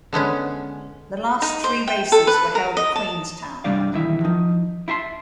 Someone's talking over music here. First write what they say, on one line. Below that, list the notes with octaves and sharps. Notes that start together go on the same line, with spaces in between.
The last three races were held at Queenstown.
D3 G#3 B3 C#4
D#4
C5
G5
A4
B4
A#4
D#5
A5
G2 C3 G3 D4 D5 F5
B1 E2 D#3 E4 E5
F3 D#4
E4 E5 A5 C6